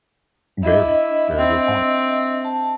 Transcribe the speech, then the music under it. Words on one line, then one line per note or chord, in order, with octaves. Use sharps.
Very. Very good point.
D4 E4 D#5 E5
C4
A5